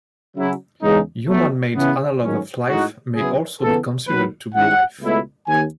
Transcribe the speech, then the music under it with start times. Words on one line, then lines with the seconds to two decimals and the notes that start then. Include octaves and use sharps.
Human-made analogs of life may also be considered to be life.
0.36 C#3 F#3 C#4 E4
0.82 E2 C#3 G#3 D#4
1.28 B2 F#3 A3
1.75 C#3 E3 B3
2.23 G#2 D#3 F#3 C#4
2.68 A2 G#3 D#4 F#4
3.15 C#3 F#3 B3 E4 G#4
3.61 C#3 E3 B3 A4
4.08 D#2 D#3 F#3 B4
4.55 G#2 D#3 G#3 C#4 E4 F#5
5.01 C#2 B2 A3 E4
5.47 D#2 G#5